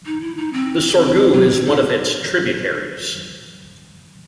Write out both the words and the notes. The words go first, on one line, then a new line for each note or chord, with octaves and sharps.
The Sorgue is one of its tributaries.
D#4
E4
D#4
C4
F#3
C4
D#4